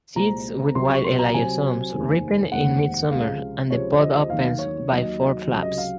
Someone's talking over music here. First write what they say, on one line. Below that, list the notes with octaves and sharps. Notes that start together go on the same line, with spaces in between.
Seeds with white elaiosomes ripen in midsummer and the pod opens by four flaps.
C2 A#2 G#3 C4 A#5
C2 C3 F#3 C4 C6
C#6
C6
A#5
C2 C3 F#3 C4 G#5
F1 D#2 D#3 G#3 C4
F1 D#2 D#3 G#3 C4 F#5
C#2 C3 F3 G#3 C4 F5
C#2 C3 F3 G#3 C4 C#5
D#5
D#2 D#3 F#3 F5
C#5
D#2 D#3 F#3 D#5
C#2 C3 F#3
D#5
F5